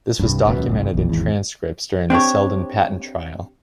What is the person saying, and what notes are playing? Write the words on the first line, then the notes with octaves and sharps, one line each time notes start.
This was documented in transcripts during the Selden Patent trial.
C2 G2
D#1 C#2 F#2 B3
G1 C2
A#1 E2
G#1 E2
C4 D4 G4 C#5